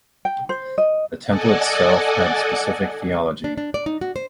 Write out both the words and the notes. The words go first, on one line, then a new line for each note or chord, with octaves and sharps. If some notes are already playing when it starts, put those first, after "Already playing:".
The temple itself had a specific theology.
G5
C5
D#5
A4 D5 D#5 F#5 G#5
D4
D4
D5
D#4
F#4
C5